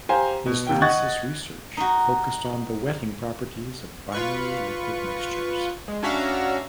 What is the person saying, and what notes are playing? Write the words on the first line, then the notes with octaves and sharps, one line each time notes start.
His thesis research focused on the wetting properties of binary liquid mixtures.
G4 C5 F5 G#5 A#5
B2
D#2 C3 D#3 G5
D#5 F#5 C#6 F#6 G#6 A6
D#4 F#4
F4 B4 C#6
G#3
C#4 D4 F#4 E5 F5 A#5